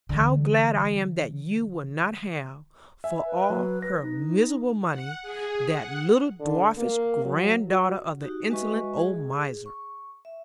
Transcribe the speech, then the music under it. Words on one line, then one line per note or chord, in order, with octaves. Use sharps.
How glad I am that you will not have, for all her miserable money, that little dwarfish granddaughter of the insolent old miser!'
D3 E3
E5 G#5
B4
F#3
B4 A#6
D#4
F#5
G#4
F#5
D3
A#3
F#3
F#4
D#4 F#4 G4
G#3 F#4 B4 D#5 E5 C#6
G#4
C#6
E5